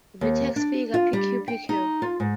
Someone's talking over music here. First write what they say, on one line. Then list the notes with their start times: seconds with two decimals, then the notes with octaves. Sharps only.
Vertex figure p.q.-p.-q.
0.21 D#2
0.56 D4
0.94 F4
1.13 G3
1.48 G5
1.69 D#4
2.02 F4
2.20 G#2